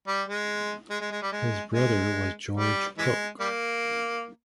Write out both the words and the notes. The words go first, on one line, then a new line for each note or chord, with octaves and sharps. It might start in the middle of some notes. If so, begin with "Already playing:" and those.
His brother was George Cook.
G3
G#3
G#3
G#3
G#3
G3
G#3
G#3
G3
E3 G#3
G3 A#3